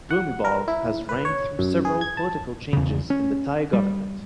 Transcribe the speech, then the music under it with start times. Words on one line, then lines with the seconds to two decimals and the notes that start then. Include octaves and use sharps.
Bhumibol has reigned through several political changes in the Thai government.
0.11 F#5
0.45 A#4
0.68 E4
1.09 B4
1.25 C#5
1.59 F#2
1.85 G#4
2.01 G#6
2.17 A5
2.73 E2 C#3
3.10 C#4
3.73 G3